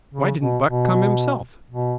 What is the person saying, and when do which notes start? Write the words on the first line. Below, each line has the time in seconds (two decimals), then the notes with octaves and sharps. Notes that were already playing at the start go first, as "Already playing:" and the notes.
"Why didn't Buck come himself?"
0.14 C#3
0.40 B2
0.66 B2
1.70 B2